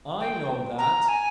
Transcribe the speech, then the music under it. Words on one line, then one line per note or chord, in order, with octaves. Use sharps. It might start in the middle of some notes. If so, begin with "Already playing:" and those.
"I know that."
G5
A#5
G#5